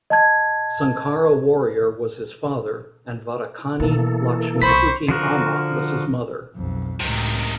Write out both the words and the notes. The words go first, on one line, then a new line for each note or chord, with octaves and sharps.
Sankara Warrier was his father and Vadakkani Lakshmikutty Amma was his mother.
D#5 A5 G#6
B2 E3 A#3 A4
C2 C5 B5 C#6 B6
D3 F3 F#4 A#4
B1 F2
C#2 A2 C3 D#3